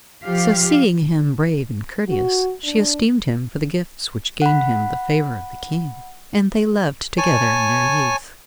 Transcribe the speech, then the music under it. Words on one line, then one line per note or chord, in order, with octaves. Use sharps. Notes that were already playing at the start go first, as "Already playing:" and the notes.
So seeing him brave and courteous, she esteemed him for the gifts which gained him the favour of the King, and they loved together in their youth.
F3 G4 F5
F#4
D4
F#5 B5
C#5 G#5 A5